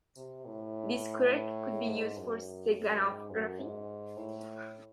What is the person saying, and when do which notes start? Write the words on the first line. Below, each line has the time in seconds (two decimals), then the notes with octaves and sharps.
This quirk could be used for steganography.
0.17 C3
0.46 A2
1.88 G#2
2.17 F#2
3.03 G#2
3.31 F#2
3.59 G#2
4.17 A2